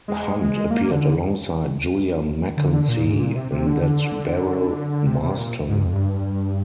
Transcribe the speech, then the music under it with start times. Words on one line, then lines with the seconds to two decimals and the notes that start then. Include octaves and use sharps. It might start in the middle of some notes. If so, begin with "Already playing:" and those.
Hunt appeared alongside Julia McKenzie in That Beryl Marston...!
0.08 G#3
0.39 G#3
0.71 A#3
0.91 D3
2.57 D3
2.73 D3
2.88 A#2
3.04 G#2
3.19 A#2
3.36 C3
3.51 C3
3.66 D3
3.82 D3
5.07 C3
5.22 C3
5.38 A#2
5.69 G#2
5.77 G2
5.85 F2
5.93 G2